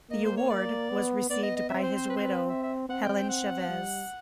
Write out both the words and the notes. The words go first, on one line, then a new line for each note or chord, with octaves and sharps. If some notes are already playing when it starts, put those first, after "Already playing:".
The award was received by his widow, Helen Chavez.
A#3 D#5
C5
C#5
D5
B3
B3 D5
D#5
D#5
C4 E5
C5
C5
B4
C5
B4
E5
E5
C4 F#5
G5
G5
F#5
G3